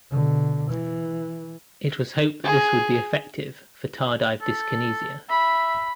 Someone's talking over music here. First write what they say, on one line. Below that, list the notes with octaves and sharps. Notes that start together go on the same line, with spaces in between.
It was hoped that this would be effective for tardive dyskinesia.
B2 D3
E3
G#4
A4
E5 B5